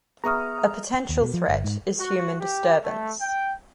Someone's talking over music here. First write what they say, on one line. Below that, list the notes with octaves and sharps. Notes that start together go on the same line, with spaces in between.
A potential threat is human disturbance.
B3 G#4 E5 A#5 C#6 D#6 F6
D#2
B2
F3
G1
G#2
F#4
G4
A3
G5